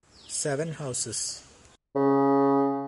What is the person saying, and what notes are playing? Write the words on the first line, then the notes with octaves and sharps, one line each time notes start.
Seven houses.
C#3